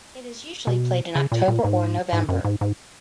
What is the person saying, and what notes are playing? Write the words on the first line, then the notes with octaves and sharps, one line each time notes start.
It is usually played in October or November.
B2
C#3
A#2
A#2
G#2
G#2
F#2
G#2
G#2